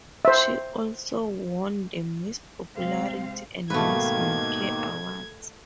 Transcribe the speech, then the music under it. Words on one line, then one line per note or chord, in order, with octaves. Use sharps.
She also won the "Miss Popularity" and "Miss May Care" awards.
C5 E5
C3 G#3 C4 F5
G#2 B2 D#3 A3 A#3 B4 G#6